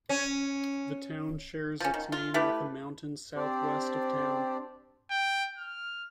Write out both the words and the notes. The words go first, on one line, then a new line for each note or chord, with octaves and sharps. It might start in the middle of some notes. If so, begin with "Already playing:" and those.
The town shares its name with a mountain southwest of town.
C#4
F3 C#4
D#3
F4
A3 E4 G4 B4
C4 D4 G4 C5 D5
G5
F6